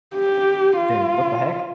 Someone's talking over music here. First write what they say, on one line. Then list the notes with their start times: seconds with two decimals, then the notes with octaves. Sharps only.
then, "What the heck?"
0.15 G4
0.76 F4